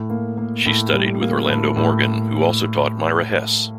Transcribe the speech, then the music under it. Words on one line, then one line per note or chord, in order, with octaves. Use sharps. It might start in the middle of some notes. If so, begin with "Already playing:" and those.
She studied with Orlando Morgan, who also taught Myra Hess.
Already playing: A2
A#3
A#3
A2
G3
A#3
A2
A2